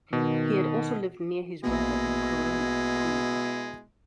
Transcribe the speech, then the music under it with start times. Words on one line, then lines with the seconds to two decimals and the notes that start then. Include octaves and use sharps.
He had also lived near his brother in Corona, Queens.
0.13 B2 D#3
1.64 A#1 B2 G#3 A#3 E4 A#6